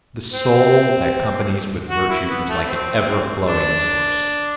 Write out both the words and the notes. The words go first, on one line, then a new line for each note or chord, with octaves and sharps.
The soul that companies with Virtue is like an ever-flowing source.
C4
F#4
E4
B3
A3
C4
D4